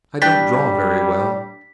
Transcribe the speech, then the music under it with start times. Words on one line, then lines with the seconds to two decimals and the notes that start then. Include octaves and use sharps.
"I don't draw very well."
0.22 G3 D4 G5 B6